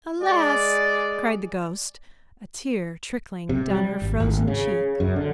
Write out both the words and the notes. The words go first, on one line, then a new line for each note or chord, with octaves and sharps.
"Alas!" cried the ghost, a tear trickling down her frozen cheek.
G#3 D5
C3
G3
G#1
G#1
C#3
F#2
D3